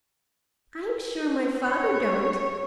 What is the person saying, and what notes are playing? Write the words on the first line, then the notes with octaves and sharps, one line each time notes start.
"I'm sure my father don't."
C#5